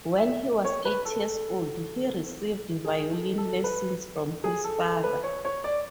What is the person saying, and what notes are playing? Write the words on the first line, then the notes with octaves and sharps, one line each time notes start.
When he was eight years old he received violin lessons from his father.
E5
C#5
B4
A4
G#4
A4
A4
B4
G#4
A4
A4
B4
C#5
C#5
D5